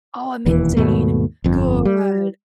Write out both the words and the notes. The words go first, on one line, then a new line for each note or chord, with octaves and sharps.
Oh, amazing. Good.
E1 D#2 E3
D#2 G#2 B2 A3
G1 F2
G3